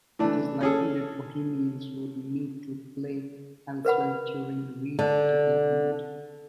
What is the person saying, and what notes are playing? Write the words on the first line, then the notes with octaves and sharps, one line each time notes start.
It is likely that Bohemians would need to play elsewhere during redevelopment.
E3 A3 D4
C#4 G#4 A4
A#4 B4 F#5 B5
D3